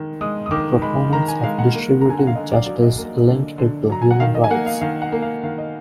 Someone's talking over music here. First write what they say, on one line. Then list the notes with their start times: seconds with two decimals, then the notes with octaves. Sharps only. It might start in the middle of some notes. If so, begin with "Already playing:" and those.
Proponents of distributive justice link it to human rights.
Already playing: D#3 G#3
0.21 G#3 D#6
0.46 D#6
0.51 D#3 D6
0.82 G#3 B5
1.13 D#3 A#5
1.28 G#5
1.43 G#3 F5
1.59 F#5
1.75 A#3
2.01 A#5
2.05 D3 G#5
2.18 F#5
2.27 F5
2.35 D3 D#5
2.51 D5
2.66 F#3 D5
2.82 D#5
2.98 A#3
3.27 D3
3.58 D3
3.90 F#3 A#5
4.02 G#5
4.11 F#5
4.20 D#3 F5
4.35 D#5
4.44 G#5
4.50 A#3 F#5
4.66 F5
4.81 D#3 F5
5.02 F#5
5.12 A#3
5.22 F5
5.43 D#3 F5
5.58 D#5